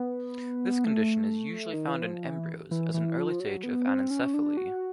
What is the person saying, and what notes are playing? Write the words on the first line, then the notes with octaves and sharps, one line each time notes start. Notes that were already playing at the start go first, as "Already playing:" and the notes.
This condition is usually found in embryos as an early stage of anencephaly.
Already playing: B3
A3
D#3
E3
F3
E3
E3
E3
F3
F#3
B3
C4
C#4
D4
F#4